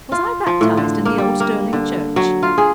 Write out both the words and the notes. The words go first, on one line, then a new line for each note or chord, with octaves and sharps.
Was I baptized in the old Sterling church?
F4
F3
A2
D3
A#3
G3
A#3
D3
F#3
F4
G#4